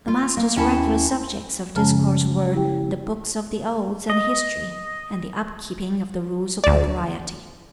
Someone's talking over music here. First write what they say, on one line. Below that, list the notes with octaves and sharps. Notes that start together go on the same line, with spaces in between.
The Master's regular subjects of discourse were the "Books of the Odes" and "History," and the up-keeping of the Rules of Propriety.
F4
A#3
D#2 C#4 E4 A5
F#2 C#3 F3 G#3 C#4 A5
E4 G4 G5
D#5
D2 D5